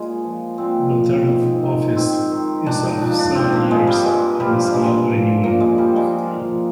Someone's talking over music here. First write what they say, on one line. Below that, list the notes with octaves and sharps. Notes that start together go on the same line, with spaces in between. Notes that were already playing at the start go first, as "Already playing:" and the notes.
The term of office is of seven years and is not renewable.
Already playing: A#2 G#3
F3
A#2 C4
F3
G#2
D#3
G#2 C4
D#3
G#2 D4
D#4
F3 D4
D4
G#2 C4
A#3
F3 G#3
G3
G2 G#3
F3 G3
G2 G#3
F3
A#2 A#3
G#3
F3 G3
G#3
A#2
F3